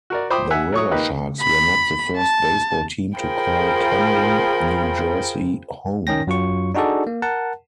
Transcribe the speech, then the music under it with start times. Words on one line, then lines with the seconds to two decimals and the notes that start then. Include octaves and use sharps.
The Riversharks were not the first baseball team to call Camden, New Jersey home.
0.10 F#4 A#4 D5
0.30 C5 G5 B5 D6 D#6
0.50 E5 F#5 G#5
0.72 F#3 C#5 C#6 D#6
0.91 A#3 D#4 G4 B4 D#5
1.41 B5
2.17 A5
3.19 F4 G#4 A#4 C5 G5 B5
6.07 D#3 C#4 G5 A#6
6.27 F#2 F#3 F4 C#6
6.75 D4 D#4 F#4 G#4 A4 D5
7.07 A#3
7.22 A#4 F#5 A5